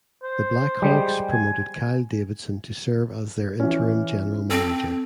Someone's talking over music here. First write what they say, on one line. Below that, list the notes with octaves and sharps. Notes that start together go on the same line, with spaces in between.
The Blackhawks promoted Kyle Davidson to serve as their interim general manager.
C5
G3 G#3
G#5
E3 C#4
C4 A4